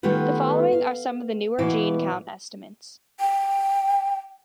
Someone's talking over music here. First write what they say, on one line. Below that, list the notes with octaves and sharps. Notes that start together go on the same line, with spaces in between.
The following are some of the newer gene count estimates.
D#3 G3 A3 B3 F4 B4
F5
B2 E3 E4 E5 F5
G5